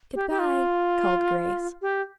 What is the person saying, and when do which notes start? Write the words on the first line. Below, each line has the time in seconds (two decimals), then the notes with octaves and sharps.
"Good-bye," called Grace.
0.15 G4
0.30 G4
0.39 F4
1.82 G4